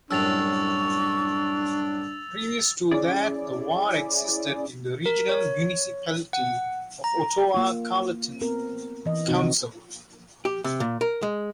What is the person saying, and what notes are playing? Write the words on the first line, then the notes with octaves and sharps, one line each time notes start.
Previous to that, the ward existed in the Regional Municipality of Ottawa-Carleton Council.
C2 F#2 A2 D4 C#6 E6 A6 F7
C#4 E4 G#4 D5
A#4
C#5
F#5
A#5
A#3 F4
B3 C4 A#4
E3 D#5
C3 D#3 C4 D#4 F#4
G4
C3
A#2
A#4
G#3